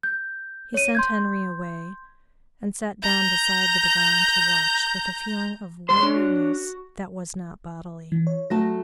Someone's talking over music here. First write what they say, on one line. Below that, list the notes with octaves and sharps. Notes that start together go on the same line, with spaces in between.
He sent Henri away and sat down beside the divan to watch with a feeling of weariness that was not bodily.
G6
C#5 D#7
C6 G6 G#6
A#5 G6
G2 G3 C5 C6
D4 C#5
F#4
E3
C#5
F#3 A3 A5 A#6